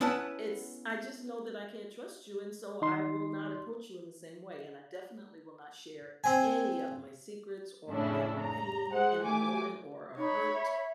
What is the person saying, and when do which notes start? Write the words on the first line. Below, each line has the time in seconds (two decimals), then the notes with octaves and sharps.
it's I just know that I can't trust you, and so I will not approach you in the same way, and I definitely will not share any of my secrets or my pain in the moment or a hurt.
0.01 B3 C#4 E4 B4 F#5 A5
2.81 D#3 D#4 C6
6.24 C4 G#5
7.89 F2 A2 C#3 C#4 D4 E4
8.41 A#5
8.91 G#3 C5 F#5
9.23 A3 G4 G#5 D6
10.17 D#4 C#5 B5
10.54 E5